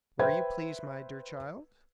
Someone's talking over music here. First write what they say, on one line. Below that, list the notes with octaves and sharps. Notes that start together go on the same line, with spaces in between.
"Where you please, my dear child."
B4 C5 E5 G5 B5 G#6